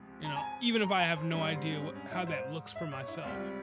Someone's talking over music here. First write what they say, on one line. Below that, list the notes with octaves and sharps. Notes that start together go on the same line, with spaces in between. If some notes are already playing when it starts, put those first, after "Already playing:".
You know, even if I have no idea wha how that looks for myself.
Already playing: C#2 C3 F3 G#3
A#5
G#5
A#5
G#5
C5
G#2 G3 C#4
C4
C#4
C4
C#4
E4
C5
E5
C#5
E4
C#2 C3 G3 F4